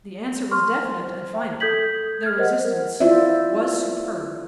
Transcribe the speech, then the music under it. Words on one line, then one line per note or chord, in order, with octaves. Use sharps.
The answer was definite and final. Their resistance was superb.
C6 C#6 F6
C5
E5 G5
A4 D#6 G6 G#6 B6 F#7
F6 G#6
A#4 C5 D#5 F#5
E4 F4 C5 D5 E5